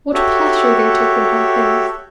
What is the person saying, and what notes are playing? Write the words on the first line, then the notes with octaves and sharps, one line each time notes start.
What pleasure they took in high things!
F#4 G4 A4 C#5 E5